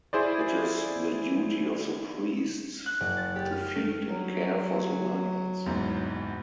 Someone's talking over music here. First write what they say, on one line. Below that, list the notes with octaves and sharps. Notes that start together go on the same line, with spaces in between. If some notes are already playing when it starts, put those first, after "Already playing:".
It is the duty of the priests to feed and care for the lions.
E4 G#4 C5 D5
F#6
F#1
A6
G4
F6
A3
F#3
F#1 E2 G#2